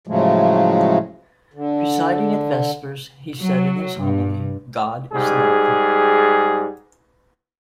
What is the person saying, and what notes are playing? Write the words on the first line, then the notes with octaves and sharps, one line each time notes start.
Presiding at vespers, he said in his homily: God is love.
A2 C#3 F3 F#3 G#3 A3
D3
F#3
G2
G#2 G3 G#4